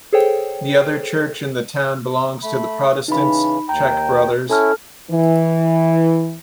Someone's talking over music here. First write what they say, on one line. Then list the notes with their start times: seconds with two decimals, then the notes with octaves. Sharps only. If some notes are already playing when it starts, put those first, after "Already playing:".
The other church in the town belongs to the Protestants, Czech Brothers.
0.13 G#4 A4 C5 C#5 G5
2.43 A3 B5
3.08 C#3 E3 D#4 B5
3.69 D#2 G5 A#5
4.50 C#4 E4 A4 A5 F6
5.11 E3